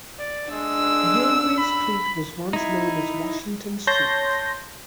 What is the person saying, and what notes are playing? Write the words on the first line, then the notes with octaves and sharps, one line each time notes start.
Umbria Street was once known as Washington Street.
D5
G#3 D4 E6
B5
D#4 E4
C#5 A5 C6 G6 A#6